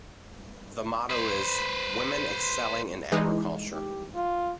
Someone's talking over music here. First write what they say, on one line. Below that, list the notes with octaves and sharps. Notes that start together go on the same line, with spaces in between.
The motto is "Women Excelling in Agriculture".
B4 C5
E3 G#3 D#4
G4
F4